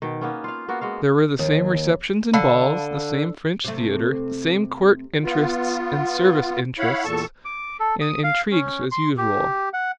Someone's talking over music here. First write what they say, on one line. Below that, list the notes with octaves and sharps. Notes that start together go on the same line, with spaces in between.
There were the same receptions and balls, the same French theater, the same court interests and service interests and intrigues as usual.
B2 D#3
A#3 B3 C#4
F4 F5
A#3 B3 F#4
G#3 F#4 F5
D#2
D3 F5 A5 B5
C3 A3
B3 F4
E4 C#5 F5 F#5 B5
E2 A#2 A4 A5 C#6
D6
A4
D#6
F5
C#4
C6
G4
F#5